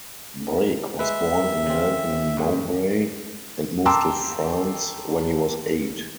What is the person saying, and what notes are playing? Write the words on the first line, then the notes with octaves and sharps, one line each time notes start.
Brake was born in Melton Mowbray and moved to France when he was eight.
G#3 B4 E5
C#3 C4
D2 G#2
G5 A5 A#5 C6 D6 E6